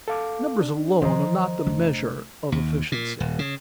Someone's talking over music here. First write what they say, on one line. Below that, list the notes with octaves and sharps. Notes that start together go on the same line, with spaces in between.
Numbers alone are not the measure of efficiency.
A4 F5 D6
D4
D#3 F3 C5 D#5 A#5
F1 D4
D#2
A#2
D#1
C#3